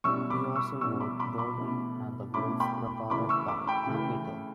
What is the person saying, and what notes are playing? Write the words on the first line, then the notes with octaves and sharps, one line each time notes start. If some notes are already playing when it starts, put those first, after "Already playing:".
He also wrote "Bernie and The Wolf" recorded by Machito.
B2 G3 C#4 E4 C#6 E6
B5 D6
C#6 E6
B2 G3 C#4 E4 C#6 E6
B5 D6
B5 D6
B5 D6
B2 A3 C#4 E4
B2 A3 C#4 E4 B5 D6
G5 B5
C#3 E3 A3 E4 B5 D6
C#6 E6
B5 D6
G5 B5
C#3 E3 A3 E4